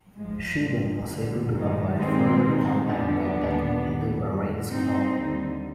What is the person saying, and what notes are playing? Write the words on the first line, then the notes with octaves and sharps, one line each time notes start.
She then was able to avoid further contact by ducking into a rain squall.
G#2 F3 G#3
G#2 F3
D2 D3 G3
G2 D#3 G3 G#3
G2 D#3 G3 G#3 C4
G#2 D#3 G3
F2 D3 G3 B3 D4
D#2 D3 G3
D#2 D#3 G3
F2 D3 G3
G2 F3 C4 D#4
D#2 D3 G3